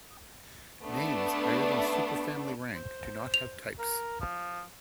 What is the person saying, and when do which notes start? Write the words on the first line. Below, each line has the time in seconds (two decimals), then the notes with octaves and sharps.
Names higher than superfamily rank do not have types.
0.83 A3 B3 D4
2.75 C5
3.34 F7
3.79 A#4
4.21 F3